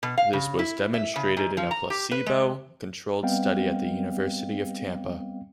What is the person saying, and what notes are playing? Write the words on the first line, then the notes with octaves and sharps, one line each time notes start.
This was demonstrated in a placebo-controlled study at the University of Tampa.
B2
F5
C#3
E4
E5
C#3
G#2
F3
A#5
G4
B4
G#3
G3 B3 C4 D#5 F5 G5